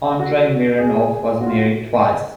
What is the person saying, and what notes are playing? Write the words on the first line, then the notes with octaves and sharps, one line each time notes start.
Andrei Mironov was married twice.
F#4
G#4
F#4
F4
F#4